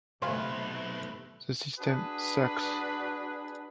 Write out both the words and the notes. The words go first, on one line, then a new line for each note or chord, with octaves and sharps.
The system sucks.
B1 C3 A3 B4 C5 F5 G#5
D4 F#4 G#4 B4